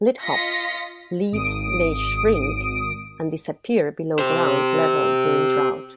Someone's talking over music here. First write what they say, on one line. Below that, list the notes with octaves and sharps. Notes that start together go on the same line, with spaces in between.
"Lithops" leaves may shrink and disappear below ground level during drought.
F4 D#5 A#6 B6 C#7
G#1 D#6 D7
G4 C5